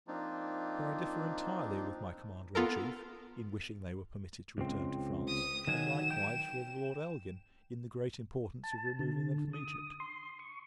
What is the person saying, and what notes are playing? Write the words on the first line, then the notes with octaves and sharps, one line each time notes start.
For I differ entirely with my Commander in Chief, in wishing they were permitted to return to France; and, likewise, with Lord Elgin, in the great importance of removing them from Egypt.
F3 A#3 C4 D4 D#4 F4
B3 F4 A4 A#4
C#2 C4
D#6
D#3 F#3 G#5 E7
G5
A5
D3
D#6
C6
C#6